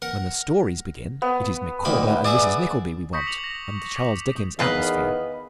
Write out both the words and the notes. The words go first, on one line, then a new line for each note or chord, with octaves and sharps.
When the stories begin, it is Micawber and Mrs. Nickleby we want, and the Charles Dickens atmosphere.
A#4 F#5
B3
D2 D#3 B5
E4 G#4 D5 E5
C#6 D#6 G6 A#6 B6 C#7
D6 C#7 F7 F#7
A#6
D6
E2 D#3 B3 B4 D#5 F5